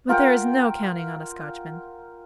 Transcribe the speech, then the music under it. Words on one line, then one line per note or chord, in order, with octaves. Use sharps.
But there is no counting on a Scotchman.
F4 A#4 F#5 G5